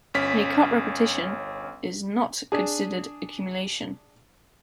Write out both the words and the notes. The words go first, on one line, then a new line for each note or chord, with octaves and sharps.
In a cut repetition is not considered accumulation.
G1 C#4 B6
D4 G#4